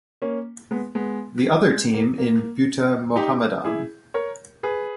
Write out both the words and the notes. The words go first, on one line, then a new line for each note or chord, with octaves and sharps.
The other team in Bhutta Mohammadan.
A#3 C#4
G#3 B3
G#3 B3
G#3
A#3
A#3
D#4 G4
E4 G#4
A#4 C#5
G#4 B4